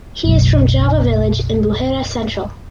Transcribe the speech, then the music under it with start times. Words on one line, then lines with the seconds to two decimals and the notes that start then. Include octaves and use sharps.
He is from Java Village in Buhera Central.
0.24 F#1 B1 B2 F#3